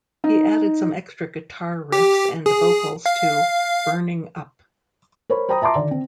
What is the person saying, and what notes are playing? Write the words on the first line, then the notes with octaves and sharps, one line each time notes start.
He added some extra guitar riffs and vocals to "Burning Up".
D#4
G4
G#4
F5
A#4 C5 C#5 B5
C5 G5 A#5 B5 D#6 A#6
E5 A5 A#5 C6 D6
D3 D#3 D5
C4